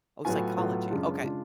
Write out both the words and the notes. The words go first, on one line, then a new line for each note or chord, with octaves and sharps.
Oh, psychology. Okay,
A2 F#3 B3 F4 G#5
A2 F#3 B3 F4
F#2 C#3 G#3 D4 F4
C#3 G#3 D4 F4